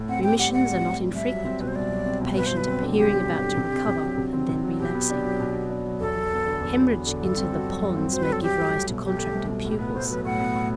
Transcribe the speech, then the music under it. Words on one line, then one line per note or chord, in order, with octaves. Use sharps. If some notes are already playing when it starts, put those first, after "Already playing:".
Remissions are not infrequent, the patient appearing about to recover and then relapsing. Haemorrhage into the pons may give rise to contracted pupils.
Already playing: A2
C4 F#5
G4 G5
G3 F#5
A2 F#5
C4
G4
G3
C2 E5
F#3
C4
B2 B4
C5
C2 D5
F#3
C4
B2
G2 B4
C5
F#3
B4
C4
D3
G2 G4
F#3
C4
D3
C3
C4
C3
F#3
C3
C4
C3
F#3
B2 G4
B3
D4
F#3
B2
B3
D4
F#3
E2 A4
F#3
B3
D3
E2
F#3
B3
D3
G2 A4
C4
F#4
F#3
G2
C4
F#4 C5
B4
F#3 A4
C2 G4
A3
C2
B2
C2 G4
A3
C2
B2
A2 G4
B3 B4
A2 C5
F#3 B4
A2 F#5
B3
A2